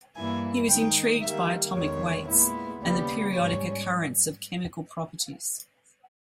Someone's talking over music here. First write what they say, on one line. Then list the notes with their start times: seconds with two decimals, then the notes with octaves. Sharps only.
He was intrigued by atomic weights and the periodic occurrence of chemical properties.
0.16 G2 E3 A#3 E4 G#5
0.68 D#3 G#3 D#4 G5
1.21 D#3 G3 A#3 E5
1.74 E2 D#3 G#3 C#5
2.27 A#2 G#3 B3 E4
2.80 D#2 C#3 G3 B3
3.32 G#2 G3 C#4 C#5